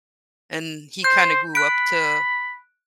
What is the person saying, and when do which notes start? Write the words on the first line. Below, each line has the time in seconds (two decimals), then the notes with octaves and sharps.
and he kinda grew up to,
1.04 C5 G6
1.55 B5 F#6 D7